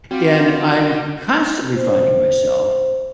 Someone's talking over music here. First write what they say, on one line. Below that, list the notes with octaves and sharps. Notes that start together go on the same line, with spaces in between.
And I'm constantly finding myself
G3 C4 F4 F#4
C5